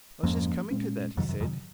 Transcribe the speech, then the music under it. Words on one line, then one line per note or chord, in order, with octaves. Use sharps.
"I was just coming to that," he said.
F2 G#2 F3 A#3 C#4
A#2 G#3 C#4
F2 G#2 C3 D#3 F#3
F#2
F2 G#2